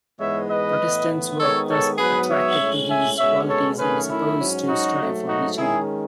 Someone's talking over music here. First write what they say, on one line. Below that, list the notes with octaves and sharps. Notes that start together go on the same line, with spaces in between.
Protestants were thus attracted to these qualities and supposed to strive for reaching them.
G#2 E3 G#3 B3 C#5 E5
B4 D#5
A2 E3 B3
D#3 G#3 B3 A4 C#5
A4 C#5
G#2 F#3 B3 G#4 B4
C#5 E5
A2 G#3 C#4
E5 G#5
B2 G#3 C#4 C#5 E5
A4 C#5
F#2 D#3 A3 C#4 G#4 B4
E4
G#2 F#3 C#4
D#4 F#4
G#2 F#3 A3
D#4 F#4
D#3 G#3 C#4 E4 G#4